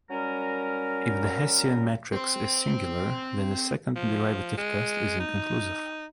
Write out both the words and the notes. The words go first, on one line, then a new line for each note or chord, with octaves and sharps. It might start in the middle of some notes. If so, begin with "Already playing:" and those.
If the Hessian matrix is singular, then the second derivative test is inconclusive.
F#3 G3 C#4 A#4
C4 C5
F3
G#3
D#4